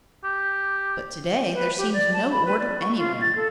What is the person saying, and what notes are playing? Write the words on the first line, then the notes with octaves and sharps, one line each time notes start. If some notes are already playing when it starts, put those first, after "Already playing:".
But to-day there seemed no order anywhere.
G4
B4
G4
D5
A5
B5
B4
D5
C#6
F4
A6
A4